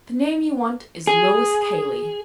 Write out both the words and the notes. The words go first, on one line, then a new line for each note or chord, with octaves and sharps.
'The name you want is--Lois Cayley!'
G#4